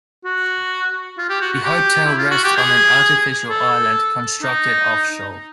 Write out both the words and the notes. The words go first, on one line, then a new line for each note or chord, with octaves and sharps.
The hotel rests on an artificial island constructed offshore.
F#4
F4
G4
F#4
F#4
G4
E4
F4
F#4
G4
G#4
A4
D#4